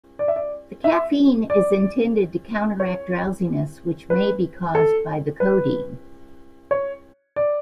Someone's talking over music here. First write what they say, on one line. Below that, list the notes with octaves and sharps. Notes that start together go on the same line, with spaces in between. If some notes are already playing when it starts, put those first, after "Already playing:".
The caffeine is intended to counteract drowsiness which may be caused by the codeine.
D5
E5
D5
E5
D5
C#5
B4
A4
B4
C#5
D5